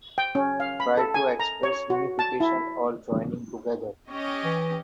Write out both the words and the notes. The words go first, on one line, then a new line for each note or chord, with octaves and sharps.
Try to express unification or joining together.
G5
C#4
F5
B5
A4
G#5
A#5
C#5
F#4
A5
E4
C#4 G4 D#5
E3